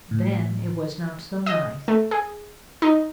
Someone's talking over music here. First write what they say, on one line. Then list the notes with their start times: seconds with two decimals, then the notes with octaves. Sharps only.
Then it was not so nice!
0.11 A2
1.46 D#5
1.88 A3
2.11 G#4
2.82 D#4